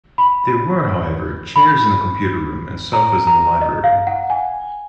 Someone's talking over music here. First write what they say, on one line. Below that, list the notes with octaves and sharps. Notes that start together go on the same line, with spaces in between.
There were, however, chairs in the computer room and sofas in the library.
B5
B5
A#5
A#5
D#5
F5
F#5
G#5